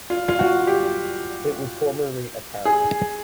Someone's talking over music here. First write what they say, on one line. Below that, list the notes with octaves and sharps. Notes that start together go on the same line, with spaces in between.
It was formerly a town.
F4
F4
F#4
G4
G#4